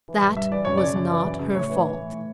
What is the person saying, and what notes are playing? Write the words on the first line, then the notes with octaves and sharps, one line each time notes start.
"That was not her fault."
E3
G2
G2 E5
E3 D5
F#2 C#5
C#3 D5
F#2
E3
F#2
C#3
A2 C#5
E3
E3
A2
A2